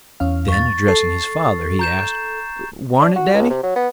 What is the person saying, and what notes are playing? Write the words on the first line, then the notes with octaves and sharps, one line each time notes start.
Then addressing his father, he asked, "War'n't it, daddy?"
E2 C#4 F5
C#6 A6
A4 C7
A#5 G6 E7
D4
F#4
C#2
C3
F#3
B3